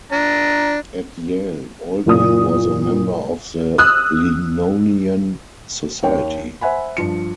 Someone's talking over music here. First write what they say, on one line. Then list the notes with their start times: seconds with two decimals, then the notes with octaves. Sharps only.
At Yale, Baldwin was a member of the Linonian Society.
0.12 D4 A#5
2.06 F#1 A#2 D#6
3.78 D#6 E6 F#6
6.03 D#2 C#5 G5
6.61 C5 E5 F#5 G#5 B5
6.97 G2 F3 C#7